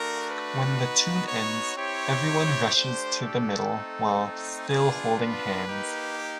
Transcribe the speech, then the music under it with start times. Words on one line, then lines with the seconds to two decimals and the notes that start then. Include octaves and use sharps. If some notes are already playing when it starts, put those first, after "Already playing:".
When the tune ends, everyone rushes to the middle, while still holding hands.
Already playing: A3 D4 F#4 A#4
0.28 B4
0.77 B3 D#4 F#4
1.25 C#5
1.74 C4 E4 G4 C#5
2.73 A3 D4 G4 C5
3.21 A4
3.70 A3 C4 D#4
4.68 B3 D4 F4 G#4
5.17 B4
5.66 A#3 D#4 G4